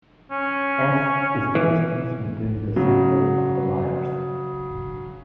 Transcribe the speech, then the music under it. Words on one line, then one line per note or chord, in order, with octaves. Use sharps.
"S" is the distance between the center of the wires.
C#4
E3
C#3 F#3